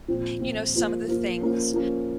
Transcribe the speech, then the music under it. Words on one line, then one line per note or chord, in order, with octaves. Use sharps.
you know, some of the things
A#2 F3 C4 F4
A#2 F3 C4 F4
F3 A#3 F4 C5
F3 A#3 F4 C5
F3 A#3 C#4
F3 A#3 C#4